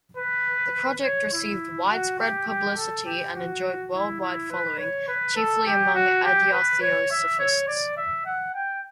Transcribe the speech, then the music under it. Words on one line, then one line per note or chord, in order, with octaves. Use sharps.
The project received widespread publicity and enjoyed worldwide following, chiefly among Adyar Theosophists.
B4
C#5
E4
F#4
G4
G4
A4
G4
F#4
E4
E4
B4
C#5
B4
A4
G4
F#4
G4
B4
C#5
E5
C#5
D5
E5
F#5
G5